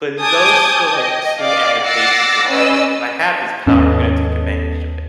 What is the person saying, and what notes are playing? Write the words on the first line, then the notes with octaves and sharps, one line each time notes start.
But, it's also, like, too advantageous to have like if I had this power, I'm gonna take advantage of it.
G#5 A5 D6 D#6 G6 G#6
D#5 G5
D5 D#5 F5 D6
F#5 D6 E6 A6 A#6 C7
C#4 B4 D5 D#5 E6
D#2 G#2 B3 C#4 A4 D#5